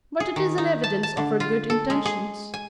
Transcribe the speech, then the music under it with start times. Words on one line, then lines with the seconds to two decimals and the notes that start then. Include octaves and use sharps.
But it is an evidence of her good intentions.
0.20 G#4
0.36 D#3
0.58 D#4
0.84 A5
1.03 A5
1.17 D3
1.40 F4
1.70 A4
1.90 G#3
2.06 G#4
2.54 G#5